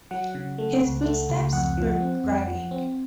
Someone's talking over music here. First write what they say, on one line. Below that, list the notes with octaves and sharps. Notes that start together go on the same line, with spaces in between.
His footsteps were dragging.
F#3 F#5
C#3
A3
C#2
A3
C#2
F2 F#5
F3
C4
F2
F3
C4